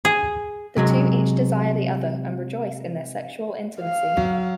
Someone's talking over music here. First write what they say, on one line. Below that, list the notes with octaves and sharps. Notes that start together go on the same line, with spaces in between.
The two each desire the other and rejoice in their sexual intimacy.
G#4
C3 F#3 G#3
F5
F#3